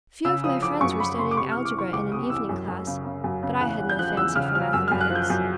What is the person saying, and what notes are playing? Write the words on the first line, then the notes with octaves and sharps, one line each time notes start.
A few of my friends were studying algebra in an evening class, but I had no fancy for mathematics.
C#3 E6
F3 D#6
F3 D6
F#2 C#6
F#2 B5
C#3 C6
D6
C3 C#6
E3 F6
D6
E3 C#6
C#2 D6
C3 D#6
E3 E6
F#2
F#2
C#3
C#3
F#2
C#3
E2 F#6
E2
G6
F3 F#6
E2 E6
C#3 F6
F3 F6
F#2 E6
F#2 F6
F#6
F3
G6
F#2